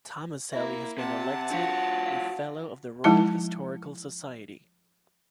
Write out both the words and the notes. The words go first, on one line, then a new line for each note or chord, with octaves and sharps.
Tomaselli has been elected a Fellow of the Royal Historical Society.
A#3 E4 E5
C3 F#5 A5
F3 D4 F#4 F5
F5
F3 G#3 D#4 E4 A5